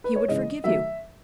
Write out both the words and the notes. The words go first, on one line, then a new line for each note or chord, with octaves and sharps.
"He would forgive you."
B4
C#5
C#3 E3 G#3 D#5
D#3 F#3 A3 E5